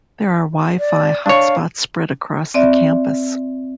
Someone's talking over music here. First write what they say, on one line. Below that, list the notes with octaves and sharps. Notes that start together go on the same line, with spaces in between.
There are Wi-Fi hotspots spread across the campus.
D5
D4 C#5 F5
C4 D5 E5